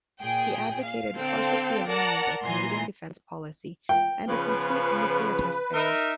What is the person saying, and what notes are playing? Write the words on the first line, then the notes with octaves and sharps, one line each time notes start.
He advocated cautious realignment of Canadian defence policy, and a complete nuclear test ban.
A#2 G#4 G5
F5
D3 C4 A4 F5 G5
A#4 D5 F#5 A5 A#5
A#2 E3 G#5 A#5 C6
G5
C#3 F3 B3 B4
D#4 A#4 E5